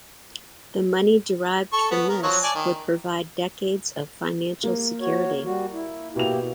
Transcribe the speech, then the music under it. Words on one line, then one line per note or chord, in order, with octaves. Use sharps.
The money derived from this would provide decades of financial security.
A4 C#6
B3
A#4
F3 F#3 C#5
D5 G#5 A5
D#3
A#3
F#4 C#5
G3 F#4
E4
B2 A#3 E4 G4 F7